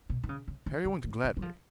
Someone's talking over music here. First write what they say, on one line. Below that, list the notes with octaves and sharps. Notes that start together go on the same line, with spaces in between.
Harry went gladly.
B2
D#3
C#3
C#3
D#3
C#3
D#3
C#3
F#3
F3